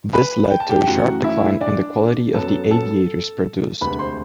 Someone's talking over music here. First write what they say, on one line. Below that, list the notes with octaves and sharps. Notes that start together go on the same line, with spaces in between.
This led to a sharp decline in the quality of the aviators produced.
B4 B5
G5
A5
G4 G5
G5
F#2 E3 A3 F#4 F#5
E4 E5
D4 D5
F#2 F#3 B3 A4 A5
A4 A5
E1 D2 C3 B4 B5
C5 C6